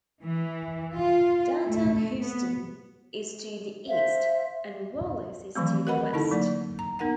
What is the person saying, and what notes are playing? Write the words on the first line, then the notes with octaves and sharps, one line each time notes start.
Downtown Houston is to the east, and Wallis is to the west.
E3
F4
A3
B3
C5 E5 F5
D#3 E3 F#3 A3 C4
A#4 B4 D#5 F#5 B5
D3 D#4 E4 A4 A5
F#3 A#3 D5
A#5
B3 D#4 A#4 F#5 A#5